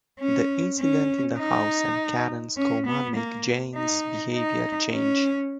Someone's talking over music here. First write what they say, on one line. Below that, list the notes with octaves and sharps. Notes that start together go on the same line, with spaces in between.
The incident in the house and Karen's coma make Jane's behaviour change.
C#4
C#4
D#4
C#4
B3
A#3
D#4
D#4
C#4